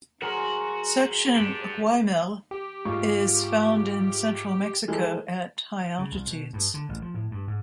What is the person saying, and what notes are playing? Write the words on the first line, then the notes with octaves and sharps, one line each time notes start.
Section "Oiamel" is found in central Mexico at high altitudes.
F#3 F#4 G#4 A#4 C5
D4 G4
G4
G#2 F4 C#6
E3 G#3 A4
C#3
C2
B2
G2
D3
A1
F3
A2
G2
G#2